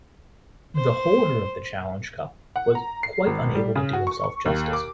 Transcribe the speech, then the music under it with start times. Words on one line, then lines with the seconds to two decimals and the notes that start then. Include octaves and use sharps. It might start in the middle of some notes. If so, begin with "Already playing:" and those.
The holder of the challenge cup was quite unable to do himself justice.
0.76 C5
2.56 F#5
2.75 A#5
3.03 C7
3.27 G#1
3.55 G3
3.76 C#3
3.93 F#4
4.07 C#6
4.24 C#6
4.46 D#2
4.73 D6